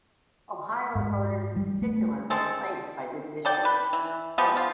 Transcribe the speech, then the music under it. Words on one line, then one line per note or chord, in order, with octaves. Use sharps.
Ohio voters, in particular, were plagued by this issue.
G#2
G3
A3
G#3 C4 A4
A4 D5 G5
B4
E3
F3 G#3 B3 G4
F4